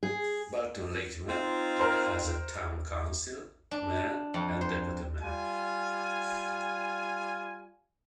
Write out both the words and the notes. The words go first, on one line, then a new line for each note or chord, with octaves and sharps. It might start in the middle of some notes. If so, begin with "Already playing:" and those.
Burton Latimer has a town council, mayor, and deputy-mayor.
G#4
C4 D#4 F4
A#4 C5
D4
F2
C5
G3 F4 G#5